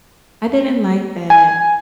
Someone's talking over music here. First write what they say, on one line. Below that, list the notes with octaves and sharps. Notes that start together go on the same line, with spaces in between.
I didn't like that.
G#5